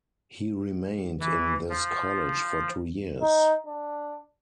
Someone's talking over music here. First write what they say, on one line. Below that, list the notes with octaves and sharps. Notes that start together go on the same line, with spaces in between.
He remained in this college for two years.
E3
F3
D#4
D4